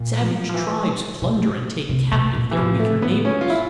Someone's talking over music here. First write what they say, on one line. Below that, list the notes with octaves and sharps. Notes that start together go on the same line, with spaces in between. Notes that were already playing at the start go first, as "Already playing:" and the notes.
Savage tribes plunder and take captive their weaker neighbors.
Already playing: A#2
F3
F3
E3
B2
C3
B2
A#2
E3
A2 F3
A3
B3
C#4
F4
E4